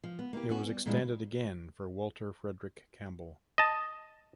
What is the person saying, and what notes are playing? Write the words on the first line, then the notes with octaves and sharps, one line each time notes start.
It was extended again for Walter Frederick Campbell.
F3
B3
A#3 E4 F4 G4
B3 C#4 F#4
G3
A#2 E3 G3 G#3 C#4 E4
D#5 A5